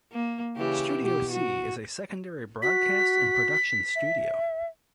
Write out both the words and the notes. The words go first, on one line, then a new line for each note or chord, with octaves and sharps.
Studio C is a secondary broadcast and production studio.
A#3
C#3 E3 G4
B2 G4
F#4
F#4 B6
E5